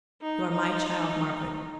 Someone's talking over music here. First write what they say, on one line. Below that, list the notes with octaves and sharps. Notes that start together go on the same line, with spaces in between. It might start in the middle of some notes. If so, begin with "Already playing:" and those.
You are my child, Margaret.
D#4
D#4